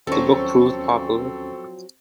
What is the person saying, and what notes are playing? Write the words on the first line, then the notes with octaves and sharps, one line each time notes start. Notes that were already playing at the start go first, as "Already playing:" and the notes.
The book proved popular.
D#2 F3 F#3 C4 C#4 A4 C5 C#6